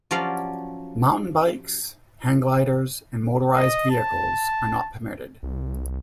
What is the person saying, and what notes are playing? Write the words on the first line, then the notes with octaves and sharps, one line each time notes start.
Mountain bikes, hang gliders, and motorized vehicles are not permitted.
F3 F#3 C#4 G4 D5 F5
D#5
A5
C2